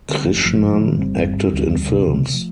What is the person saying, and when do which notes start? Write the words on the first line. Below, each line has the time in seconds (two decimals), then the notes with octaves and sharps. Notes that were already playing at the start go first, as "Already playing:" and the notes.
Krishnan acted in films.
0.09 D3 G3 C4
0.26 G1 F3 A3
0.45 G1 F3 A3
0.62 G2
0.72 F3 A3
0.80 D3
0.98 G1 G3 C4
1.16 G1
1.36 G2
1.53 D2
1.71 D2
1.88 C3 D4
1.98 C4
2.07 C3 F3 A3
2.25 D2 C4
2.33 F3 A3